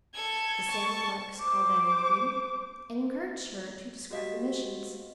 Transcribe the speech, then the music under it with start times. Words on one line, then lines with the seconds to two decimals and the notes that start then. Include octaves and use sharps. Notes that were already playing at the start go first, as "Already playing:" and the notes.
The Sam Clarks called that evening and encouraged her to describe the missions.
0.15 A4 G#6
0.69 A5 C#6
1.39 C5 D6
4.11 F#4 G4 D#5 F5 B6